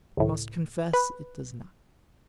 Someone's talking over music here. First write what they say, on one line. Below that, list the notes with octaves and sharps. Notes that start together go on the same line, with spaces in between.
We must confess it does not.
C#2 A2
B4